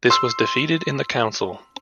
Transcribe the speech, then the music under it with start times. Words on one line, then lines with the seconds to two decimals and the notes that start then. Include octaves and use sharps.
This was defeated in the council.
0.10 C6 E6